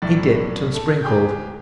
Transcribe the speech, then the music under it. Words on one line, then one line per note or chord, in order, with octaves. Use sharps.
He dipped and sprinkled.
B1 A2 D4 E4 A6
A3 A4
D1 G4 G#4 G5 G6